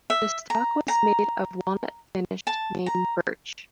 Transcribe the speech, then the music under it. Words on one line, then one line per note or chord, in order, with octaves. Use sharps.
The stock was made of walnut-finished Maine birch.
E5
A#5
A#5
A5
A#5